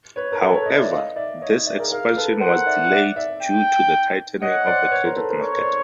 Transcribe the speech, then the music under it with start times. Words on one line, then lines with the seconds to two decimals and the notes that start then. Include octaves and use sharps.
However, this expansion was delayed due to the tightening of the credit market.
0.16 B4 C#5
0.32 A#4
0.41 A4 B4
0.54 B4 C#5
0.66 C#5 D#5
0.79 D5 E5
0.91 D#5 F5
1.16 D5 E5
1.42 C#5 D#5
1.53 C#5 D#5
1.66 D5 E5
1.79 G#4 A#4
1.91 G#4 A#4 F5
2.16 A4 B4
2.41 A#4 C5 F#5
2.66 D5 E5
2.92 D5 E5
3.16 D5 E5
3.42 G5
4.41 C#5 D#5 F#5
4.67 C5 D5
4.91 B4 C#5
5.05 A#4 C5
5.16 A4 B4
5.30 A#4 C5
5.42 A#4 C5 C#5
5.58 C5 D5